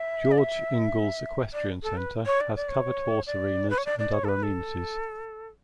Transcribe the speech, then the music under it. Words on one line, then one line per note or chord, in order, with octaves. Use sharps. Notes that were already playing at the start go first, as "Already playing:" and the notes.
George Ingalls Equestrian center has covered horse arenas and other amenities.
Already playing: E5
D5
E5
D5
A4
B4
C#5
D5
D5
C#5
D5
B4
C#5
D5
D5
C#5
A4
B4
A4